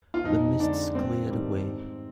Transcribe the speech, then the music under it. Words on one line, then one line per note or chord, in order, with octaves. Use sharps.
The mists cleared away.
F4
F2 D#4
D3 G#3 D4
G2 C4
D#3 G3
G#2